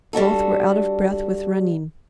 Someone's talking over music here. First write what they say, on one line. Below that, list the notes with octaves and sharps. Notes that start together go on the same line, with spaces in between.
Both were out of breath with running.
G3 D4 F#4 A4